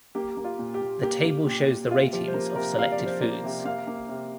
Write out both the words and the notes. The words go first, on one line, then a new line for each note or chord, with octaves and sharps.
The table shows the ratings of selected foods.
A#3 G4
A#3
F4
A#2
G4
A#2
A#3 G4
A#3
A#2 G4
A#2
C3 F4
F3 G4
C5
A#3 A#4
C3 A#4
C3 F5
D5
F3
C5
A#3 D5
C3
A#3 F5
A#3
C3